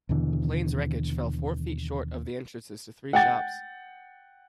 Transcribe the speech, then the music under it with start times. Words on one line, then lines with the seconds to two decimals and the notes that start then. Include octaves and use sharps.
The plane's wreckage fell four feet short of the entrances to three shops.
0.09 D#2 B2 D3 E3
3.13 F#5 G5 A6